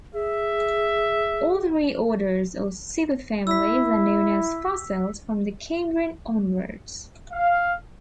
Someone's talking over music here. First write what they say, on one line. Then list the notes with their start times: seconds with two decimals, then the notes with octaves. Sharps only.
All three orders or superfamilies are known as fossils from the Cambrian onwards.
0.14 G#4 E5
3.47 E4 E6 B6
7.32 F5